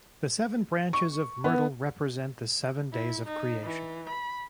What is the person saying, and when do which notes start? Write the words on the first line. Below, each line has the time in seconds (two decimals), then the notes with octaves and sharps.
The seven branches of myrtle represent the seven days of creation.
0.93 C#6
1.44 B3
2.93 E4
3.26 D#4
3.63 E3
4.10 B5